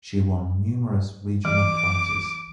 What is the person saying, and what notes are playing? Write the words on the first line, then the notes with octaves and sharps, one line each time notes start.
She won numerous regional prizes.
E3 D6